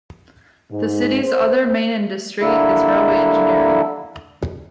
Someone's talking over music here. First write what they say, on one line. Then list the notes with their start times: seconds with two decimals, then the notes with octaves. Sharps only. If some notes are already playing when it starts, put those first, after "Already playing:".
The city's other main industry is railway engineering.
0.71 G#2
1.23 C5
2.41 D3 G3 A#3 D4 E4 A4